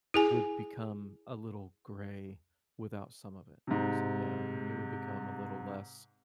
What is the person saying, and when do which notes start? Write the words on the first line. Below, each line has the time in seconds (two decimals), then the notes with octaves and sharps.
would become a little gray without some of it. So, yeah, I mean, it would become a little less
0.14 E4 G#4 G#5
3.67 G#2 C3